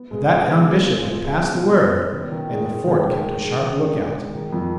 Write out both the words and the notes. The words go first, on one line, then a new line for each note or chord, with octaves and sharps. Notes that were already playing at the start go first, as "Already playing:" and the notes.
But that hound Bishop had passed the word, and the fort kept a sharp lookout.
Already playing: B3
G#3
B3
B3
G#3
F4
F4
G#3
B2
B3
F4
B3
D#3
D#3
G#3
G#3
D#3
G#3
G#3
G#3
D#3
D4
G#3
G#3
D#3
F2